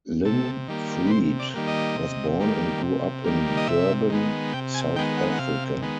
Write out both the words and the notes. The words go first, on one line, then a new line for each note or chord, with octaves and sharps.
Lynn Freed was born and grew up in Durban, South Africa.
C3 A4
D#3 G3 A#3
B4
C3 C5
D5
D#3 G3 A#3
D#5
C3
D#3 G3 A#3
C3
D#3 G3 A#3
D#5
C3 E5
D#3 G#3 B3
C3 G5
G#5
D#3 G#3 B3 G5
F#5
F#5
C3 F5
D#3 G#3 B3